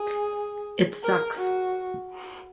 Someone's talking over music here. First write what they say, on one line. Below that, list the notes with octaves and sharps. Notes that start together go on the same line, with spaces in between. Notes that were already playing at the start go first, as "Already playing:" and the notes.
It sucks.
Already playing: G#4
A#4
F#4